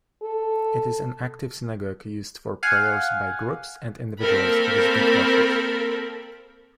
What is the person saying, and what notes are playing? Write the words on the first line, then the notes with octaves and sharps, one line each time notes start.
It is an active synagogue used for prayers by groups and individuals visiting Auschwitz.
A4
F5 F#5 G#5
A#3 C4 A4 A#4 B5